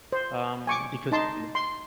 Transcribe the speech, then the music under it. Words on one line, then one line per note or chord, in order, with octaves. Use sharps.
um, because, you know
C5
G#5 C#6 D6
D#4 A5 C6
C6